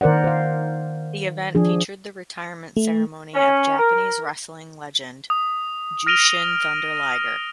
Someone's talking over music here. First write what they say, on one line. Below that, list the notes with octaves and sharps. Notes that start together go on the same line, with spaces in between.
The event featured the retirement ceremony of Japanese wrestling legend Jushin Thunder Liger.
D#3 A#4 C5 D5 F#5
C5 F5
F3 D4 G#4
A3
C#4
A#4
D#6
F6 A#6 D7 D#7 F7 G7